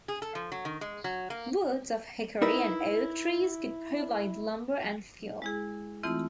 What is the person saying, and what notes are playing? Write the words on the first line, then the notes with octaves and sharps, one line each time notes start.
Woods of hickory and oak trees could provide lumber and fuel.
G#4
A4
F3
F#3
D#3
G#3
F#3
A#3
D#4 E4 A#4 B4
G#3 E4 G#4
E3 A3 C4 E4 F4